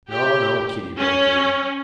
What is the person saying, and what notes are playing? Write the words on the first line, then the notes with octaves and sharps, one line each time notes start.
"No, no," Kitty broke in.
G4
C#4